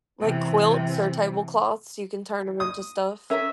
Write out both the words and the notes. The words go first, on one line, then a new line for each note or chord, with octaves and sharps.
Like quilts or tablecloths, you can turn 'em into stuff.
C3 E3
D#6
C#4 A#4 E5